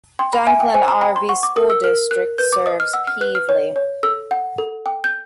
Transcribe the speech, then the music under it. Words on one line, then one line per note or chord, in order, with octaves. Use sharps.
Dunklin R-V School District serves Pevely.
G5 C6
B5
E5 G#5
G5
C5 G#5
A#5
G5 B5
C6
F#5 C#6
D6
A#4 D#6
E6
A#4 F6
A#4 F#6
B4 G6
D6
D#5 D#6
F6
F#5 E6
F6
B4 F#6
F6
C#5
C#5
A4 E6
F#5
A4
G5
G6